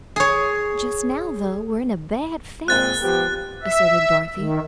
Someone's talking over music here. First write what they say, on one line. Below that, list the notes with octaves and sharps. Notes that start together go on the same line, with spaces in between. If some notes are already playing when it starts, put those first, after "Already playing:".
"Just now, though, we're in a bad fix," asserted Dorothy.
G#4 C#5
A#2 G#3 C4 F#6 A6
F3 B3 G4
E5
D#3